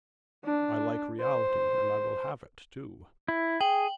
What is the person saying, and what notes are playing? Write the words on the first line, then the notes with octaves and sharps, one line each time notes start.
I like reality, and I will have it too.
D4
C5
E4
G#4 G5 F#7